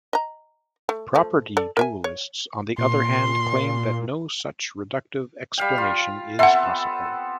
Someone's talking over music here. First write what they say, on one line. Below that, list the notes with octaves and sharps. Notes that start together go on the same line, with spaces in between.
Property dualists, on the other hand, claim that no such reductive explanation is possible.
D#5 A#5
A3
F3 A3
A4 D5
A#4 E5 G#5
C#5
A#2 C6
G3 F5 G5
F4
B3 C4 A4 E5 F#5